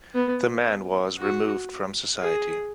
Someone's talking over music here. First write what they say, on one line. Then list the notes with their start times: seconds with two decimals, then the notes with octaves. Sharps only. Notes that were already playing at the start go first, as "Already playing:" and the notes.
The man was removed from society.
0.14 B3
1.18 F#4
2.22 G#4